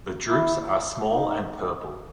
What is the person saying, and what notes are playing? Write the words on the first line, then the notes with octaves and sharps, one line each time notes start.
The drupes are small and purple.
E4
D#4